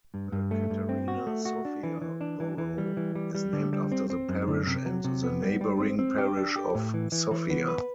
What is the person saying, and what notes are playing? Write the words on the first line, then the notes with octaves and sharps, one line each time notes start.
The Katarina-Sofia borough is named after the parish and the neighbouring parish of Sofia.
G2
G2
A3
G2
C4
F#4
A3
F#4
D4
E3
E3
D4
E3
E3
G3
E3
G3
G3
D3
G3
C4
C4
F#2
D3
C3
F#3
C3
B3
G3
G3
C4
C4
G4
D4
G4
A2
E3
E3
E3
B3
B4